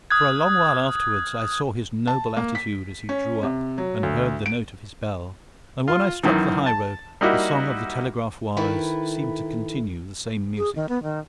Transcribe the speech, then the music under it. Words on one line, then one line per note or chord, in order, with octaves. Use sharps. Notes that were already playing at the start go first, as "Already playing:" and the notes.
For a long while afterwards I saw his noble attitude as he drew up, and heard the note of his bell; and when I struck the high-road, the song of the telegraph-wires seemed to continue the same music.
D#6 F6 F#6 G#6
A5
A#3
B6
C#4
C3
F#3
D2
D7
F4
F#2 D#3 E3
A5
G3 A#3 D#4 E4 F#4
D#3 E4 A4 B4
G#4
D#3
B3
D#3